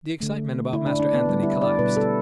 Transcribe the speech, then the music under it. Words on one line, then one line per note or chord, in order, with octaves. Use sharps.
The excitement about Master Anthony collapsed.
D3 A3
D3 A3 E4
D4
D4
B3
D3 G3
E4
D5
B2 G3 B4
A4